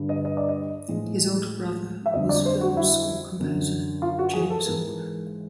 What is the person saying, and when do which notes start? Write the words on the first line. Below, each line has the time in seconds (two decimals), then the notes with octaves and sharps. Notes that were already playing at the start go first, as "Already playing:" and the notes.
His older brother was film score composer James Horner.
Already playing: G2 D3 G3
0.09 D#5
0.25 D#5
0.37 D5
0.49 D#5
0.88 A2 F3 G#3
2.06 E5
2.14 F2 D3 G3 D#5
2.29 D5
2.46 C5
2.61 F#4
2.77 E4
3.40 F#2 D3 F#3
4.02 F4
4.19 F#4
4.33 G#4
4.50 A4
4.65 G#2 E3 G#3 A#4